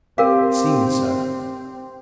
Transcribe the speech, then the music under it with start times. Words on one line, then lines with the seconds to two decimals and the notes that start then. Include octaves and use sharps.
It seemed so.
0.18 C4 G4 A#4 F5